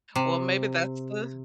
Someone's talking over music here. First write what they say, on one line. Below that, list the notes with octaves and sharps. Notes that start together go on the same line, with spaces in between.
Well, maybe that's the
C3